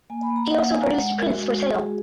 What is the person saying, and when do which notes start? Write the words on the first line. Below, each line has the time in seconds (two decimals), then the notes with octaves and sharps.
He also produced prints for sale.
0.10 A#3 G#5
0.23 B5
0.30 A#3
0.36 A#5
0.50 A#3 F#5
0.61 F5
0.71 D#4 G#5
0.82 A#5
0.91 G#3 F#5
1.12 G#3
1.18 A#4
1.33 G#3 F#4
1.53 G#3
1.74 F#4 G#4